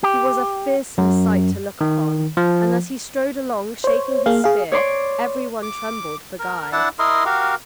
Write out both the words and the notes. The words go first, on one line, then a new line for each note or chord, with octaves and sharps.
He was a fearsome sight to look upon, and as he strode along shaking his spear every one trembled for Guy.
G4
F#2
D#3
F3
C5 C#5
A#3 G#4 F5
G#4 F5
C#5 D5 C6 D6
D6
A#4
D4 E4 F#5 A5
E4 A#4 D#5 C6
F#4 G4 A#4 F5